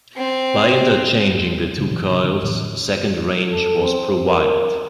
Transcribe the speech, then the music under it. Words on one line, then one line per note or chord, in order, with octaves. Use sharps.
By interchanging the two coils a second range was provided.
C4
C#3
B2 E3 F#3
C3 F#3
D3 E3 C4 D4
A2 D3 E3
A4
C4
A#4